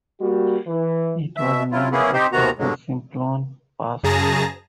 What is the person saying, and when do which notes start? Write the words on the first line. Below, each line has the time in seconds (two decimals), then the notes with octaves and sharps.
It was named after the Simplon Pass.
0.21 G3 A#3 F#4
0.67 E3
1.37 B2 E5
1.72 C#3 F#3 E4 F4
1.92 A#3 B3 C#4 E4 G#4
2.13 C4 D#4 G4 C5
2.32 D#2 C3 D#3 B3 F#4 A#5
2.59 G2 B2 D3 F#3 G#3
4.03 F#2 C#3 G#4 A5 A#5 A#6